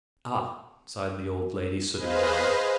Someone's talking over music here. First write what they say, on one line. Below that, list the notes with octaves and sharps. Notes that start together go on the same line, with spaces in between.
"Ah," sighed the old lady, sitting down.
G#4 B4 C5 D#5 F5